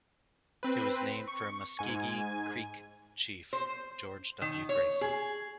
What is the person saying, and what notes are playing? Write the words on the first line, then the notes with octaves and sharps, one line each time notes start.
It was named for a Muscogee Creek chief, George W. Grayson.
C4 B4
C#6
G#2 G#5
C5
D#3
C#5
G#4